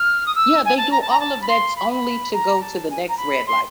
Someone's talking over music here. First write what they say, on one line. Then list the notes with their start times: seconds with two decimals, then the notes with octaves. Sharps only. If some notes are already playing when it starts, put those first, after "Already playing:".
Yeah, they do all of that only to go to the next red light,
Already playing: F6
0.26 D#6
0.35 E6
0.65 G#5
0.77 A5
0.91 A#5
1.01 A5
1.10 A#5
1.20 A5
1.41 B5
1.48 C6
1.76 B5
1.90 B5
2.33 A#5
2.61 A5
2.90 G#5
3.08 A#5
3.17 B5
3.47 C6